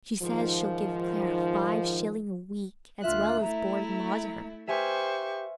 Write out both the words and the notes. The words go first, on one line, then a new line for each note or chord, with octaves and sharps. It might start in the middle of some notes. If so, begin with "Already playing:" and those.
She says she'll give Clara five shillin' a week, as well as board an' lodge her.
G#2 D#3 F3
D2 F4 E5 F#6
A3 E4 A#5
G4 B4 C5 E5 F5 G#5 C#6